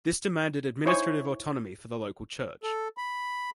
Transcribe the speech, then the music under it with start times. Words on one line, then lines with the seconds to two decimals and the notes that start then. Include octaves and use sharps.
This demanded administrative autonomy for the local church.
0.85 D#4 E4 C5 C#5 G#5
2.63 A4
2.97 B5